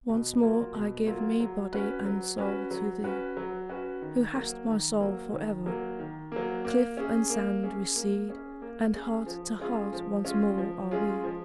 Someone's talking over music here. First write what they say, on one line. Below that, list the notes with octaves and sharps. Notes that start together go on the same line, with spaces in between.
Once more I give me body and soul to thee, Who hast my soul for ever: cliff and sand Recede, and heart to heart once more are we.
B2
F#3 A#3 F4 A#4
B2
F#3 A#3 F4 A#4
F#3
C#4 F#4 B4
F#3
C#4 F#4 B4
F#3
C#4 F#4 B4
F#3
C#4 F#4 B4
D#3
F#3 A#3
D#3
F#3 A#3
D#3
F#3 A#3
D#3
F#3 A#3
A#3
C#4 G#4
A#3
C#4 G#4
A#3
C#4 G#4
A#3
C#4 G#4
F3
G#3 C#4 F4 G#4
F3
G#3 C#4 F4 G#4
F3
G#3 C#4 F4 G#4
F3